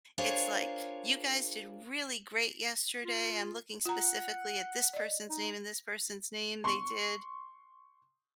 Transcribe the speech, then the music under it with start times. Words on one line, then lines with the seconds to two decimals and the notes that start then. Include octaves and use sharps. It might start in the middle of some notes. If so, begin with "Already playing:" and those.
it's like, "You guys did really great yesterday. I'm looking specifically at this person's name and this person's name. They did,
0.18 D4 F4 G#4 A#4 C5 C#5
3.04 F4
3.85 F4 F#5 A#5
4.93 D5 D#5
5.30 D#4
6.64 C6 C#6